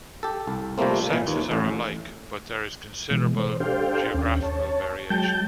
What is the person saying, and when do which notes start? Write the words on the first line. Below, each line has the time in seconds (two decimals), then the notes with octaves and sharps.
The sexes are alike, but there is considerable geographical variation.
0.23 G4 A4
0.48 C2
0.78 C3 F3 G3 A3 A#3 C4
1.11 A#2 E3
1.27 D#2
1.51 A1 A2
3.11 B2 E3 G#3
3.39 C5
3.60 D4 G4 A4 C5 F5 G5
4.14 D#2 C#4
4.42 C#5 A5
5.10 F#3 G#3 G5 A5 G6